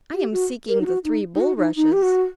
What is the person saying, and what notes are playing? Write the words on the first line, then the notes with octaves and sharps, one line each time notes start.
'I am seeking the three bulrushes.
G4
F#4
A#4
D#4
F#4
D#4
D#4
F#4
D#4
D#4
G4
F#4